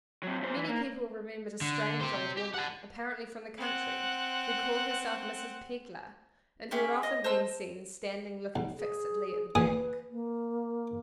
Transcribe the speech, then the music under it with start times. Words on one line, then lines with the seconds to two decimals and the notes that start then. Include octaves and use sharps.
Many people remembered a strange old woman, apparently from the country, who called herself "Mrs. Pegler," and who had often been seen standing looking fixedly at the bank.
0.23 F#3 C4
0.42 A2 C5
0.56 E3
0.69 A#3
1.61 D3
2.01 G4 C5
2.37 G4
2.54 F#5 A5
3.58 C4 F#5
6.71 C#4 G4 G#4 E5
7.03 D#5
7.24 C5 D#5 A5 E6
8.56 B1
8.78 G#4
9.55 A#2 G#4 B4 D#6
10.10 A#3